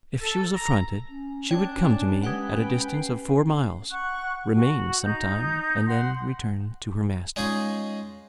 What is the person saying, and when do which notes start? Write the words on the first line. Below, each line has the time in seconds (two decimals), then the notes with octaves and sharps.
If she was affronted she would come to me, at a distance of four miles, remain some time, and then return to her master.
0.21 A4
0.54 A#5
1.10 C#4
1.51 D4 C#5 G5 G#6
2.23 G#3 G4 B4 F#5 G5
2.94 C7
3.90 F#5 C#6 F#6
4.55 F#4
5.03 D#4 G6
5.86 F#5 C6
7.36 G#3 C#4 D#4 F4 G#4